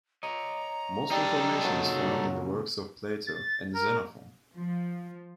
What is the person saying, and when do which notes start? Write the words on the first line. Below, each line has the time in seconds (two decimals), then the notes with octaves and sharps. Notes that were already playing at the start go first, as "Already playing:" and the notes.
Most information is found in the works of Plato and Xenophon.
0.23 C#5 D#5 A#5
1.12 G3 D#4 A4
1.64 F#2 A#2 C#3 F#3
3.27 A6
3.74 A#4
4.54 F3